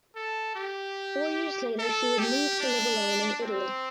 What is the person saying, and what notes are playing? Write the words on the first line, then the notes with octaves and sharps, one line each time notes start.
Four years later she would move to live alone in Italy.
A4
G4
A4
G4
D4
C4